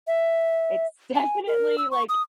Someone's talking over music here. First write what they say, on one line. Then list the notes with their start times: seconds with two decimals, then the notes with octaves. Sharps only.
it's definitely, like
0.07 E5
1.15 G#5
1.47 A#4
1.78 E6
1.91 C#6
2.09 D#6